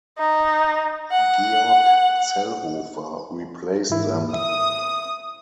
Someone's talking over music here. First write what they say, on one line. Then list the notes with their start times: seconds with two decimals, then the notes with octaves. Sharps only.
Georg Zellhofer replaced them.
0.19 D#4
1.12 F#5
3.90 G#2 E3 E4
4.33 E5 D#6